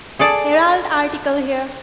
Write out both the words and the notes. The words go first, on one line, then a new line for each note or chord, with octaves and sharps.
Herald article here.
G#4 A4 D5 A5